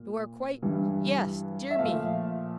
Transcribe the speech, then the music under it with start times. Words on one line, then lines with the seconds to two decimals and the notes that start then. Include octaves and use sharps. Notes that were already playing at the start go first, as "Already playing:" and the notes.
You are quite--yes--dear me!'
Already playing: A#2
0.62 G2 E3 G3
1.71 E5
1.79 A#2 F3 A3 F5